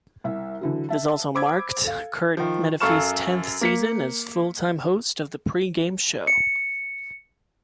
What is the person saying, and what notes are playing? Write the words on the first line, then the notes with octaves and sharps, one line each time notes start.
This also marked Curt Menefee's tenth season as full-time host of the pregame show.
C2 E5
D3 E3 F#3
E5 A5
C5 B5 D6 E6 G#6
A4 F5
D#3 F3
F#2 A4 F5 C#6 F6 E7
A#3 B6 C#7
C#7